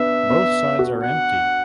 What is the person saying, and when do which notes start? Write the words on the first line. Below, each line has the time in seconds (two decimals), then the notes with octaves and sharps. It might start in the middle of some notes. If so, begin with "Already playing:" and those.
Both sides are empty.
Already playing: B3 D4 E5
0.30 B3
0.79 F#4
1.04 F#5